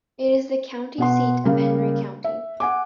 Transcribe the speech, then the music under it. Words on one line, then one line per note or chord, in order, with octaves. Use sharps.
It is the county seat of Henry County.
B2 B3 F#5 C6
C#3 G3 A#3
E5
F#5 G#5 D6